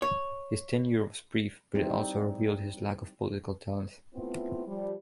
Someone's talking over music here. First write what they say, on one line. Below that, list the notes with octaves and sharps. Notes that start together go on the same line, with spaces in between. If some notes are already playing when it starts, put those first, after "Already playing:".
His tenure was brief but it also revealed his lack of political talent.
C#5
G3 C4 D#4 E4
A3 B3 C4 E4 F4
F3 G3